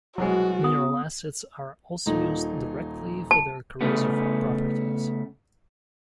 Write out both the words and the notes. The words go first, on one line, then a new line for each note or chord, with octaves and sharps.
Mineral acids are also used directly for their corrosive properties.
C2 B2 F#3 G#3 F#4
B3 D#6
D#1 A#2 D#4
A5
C#3 A3 B3